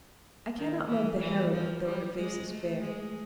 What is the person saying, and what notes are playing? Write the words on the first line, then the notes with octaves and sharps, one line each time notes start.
I cannot love the heroine, though her face is fair.
D#3
E3
E3
F3
G3
G#3
A3
G#3